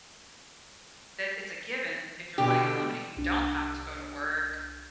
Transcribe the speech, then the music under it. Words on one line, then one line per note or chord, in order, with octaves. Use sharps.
that it's a given, if your money is unlimited, you don't have to go to work,
B2 D3 G4
C2 D4